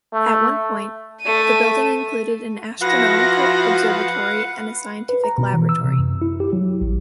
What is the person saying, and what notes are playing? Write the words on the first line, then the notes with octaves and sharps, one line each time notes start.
At one point, the building included an astronomical observatory and a scientific laboratory.
A3
A3 D#7
F3 E4 F#4 B4 F5 F#5 A#6
B4
A#5
B2
E3
E6
C3
F#2
E4
G4
F#3
A1